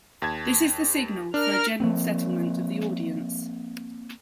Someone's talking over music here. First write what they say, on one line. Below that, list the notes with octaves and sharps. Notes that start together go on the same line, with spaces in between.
This is the signal for a general settlement of the audience.
D#2 A5 G#6
D4 A#4 F6
F3 A#3 C4